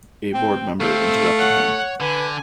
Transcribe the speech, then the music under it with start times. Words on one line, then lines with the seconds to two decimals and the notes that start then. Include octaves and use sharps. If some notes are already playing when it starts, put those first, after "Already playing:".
A board member interrupted him.
0.34 C4 G5
0.80 C#2 A3 C4 F5
1.39 C#5 F#5
2.00 D3 B4 G#5